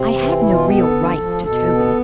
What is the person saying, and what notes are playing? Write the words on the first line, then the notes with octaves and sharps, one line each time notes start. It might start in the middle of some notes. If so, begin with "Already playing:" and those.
I have no real right to Toby.
Already playing: C3 C4
E3
B2 E4
F4
B3 G4
A4
D3
F3
B2 A4
B3